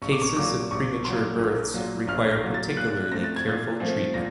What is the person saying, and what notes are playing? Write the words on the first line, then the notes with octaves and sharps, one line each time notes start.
Cases of premature births require particularly careful treatment.
A#1 C#6
D6
C#6
A#2 F#3 D6
A#1 C#6
A#2 F#3 C6
A#1
A#2 F#3
A#1 F6
A#6
A#2 F#3
A6
A#2 F#6
F3 A3 C4 A#6
A6
G#6
A#2 A6
F3 A3 C4
A#2 A#6